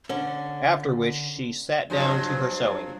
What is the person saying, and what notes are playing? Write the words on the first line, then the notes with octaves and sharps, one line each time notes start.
After which she sat down to her sewing.
D3 C#4
G2 F3 F#3